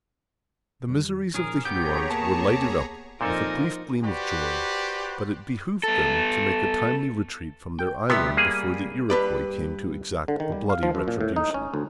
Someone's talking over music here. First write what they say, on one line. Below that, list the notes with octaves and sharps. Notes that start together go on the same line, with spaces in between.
The miseries of the Hurons were lighted up with a brief gleam of joy; but it behooved them to make a timely retreat from their island before the Iroquois came to exact a bloody retribution.
F2 D#3 G3
A#2 F3 C#4 D#4 G#4 A#4
G#1 B3 G4 G#4 C#5 A#5 G6
D#2 A#3 A#4 A5
A#2 F3 C4 D#4 A4 A#4
F#4 G4 B4 C5 D5
B3 A4
G5
C3 G3 B3 E5
A#3 G#4
G2 B4 D5
D3
D#3
G3
F5
F3
F#2
A#2
A2
D#4
C#4
D2